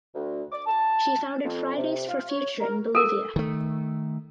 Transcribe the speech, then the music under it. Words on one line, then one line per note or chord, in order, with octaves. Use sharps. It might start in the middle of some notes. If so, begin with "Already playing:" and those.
She founded Fridays For Future in Bolivia.
D2
D6
A5
F2
C3
F4
C#5
A#4
A4 A#4
D#3 A3